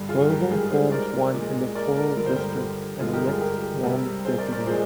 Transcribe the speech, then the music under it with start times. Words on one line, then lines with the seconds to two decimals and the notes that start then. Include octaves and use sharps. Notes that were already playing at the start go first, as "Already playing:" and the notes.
Grouville forms one electoral district and elects one Deputy.
Already playing: G2 D3 G3
0.09 F4 G#4
0.30 G4 A#4
0.50 G#2 G3 F4 G#4
0.71 G#4 C5
0.92 A#4 D5
1.34 A#2 G#3
1.75 A#4 D5
1.96 A#4 D5
2.16 G2 D3 F3 A#4
2.26 C5
2.36 G4 A#4
2.99 G2 D3 F3 G#3 F4 G#4
3.13 G4 A#4
3.27 F4 G#4
3.41 G4 A#4
3.83 C3 G3
4.25 G#4 C5
4.38 A#4 D5
4.52 A#4 D5
4.67 A#2 F3 G#3 G#4 C5